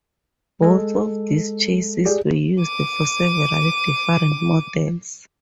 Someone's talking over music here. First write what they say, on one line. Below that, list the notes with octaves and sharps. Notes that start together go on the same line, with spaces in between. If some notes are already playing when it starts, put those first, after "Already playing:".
Both of these chassis were used for several different models.
G#3 A4
G4 G#4 D5
D6 D#7